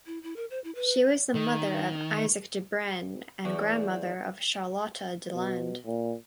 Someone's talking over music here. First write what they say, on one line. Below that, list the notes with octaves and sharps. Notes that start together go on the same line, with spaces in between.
She was the mother of Isaac de Broen and grandmother of Charlotta Deland.
E4
E4
A#4
C5
E4
B4
D#3
E2
B2
A#2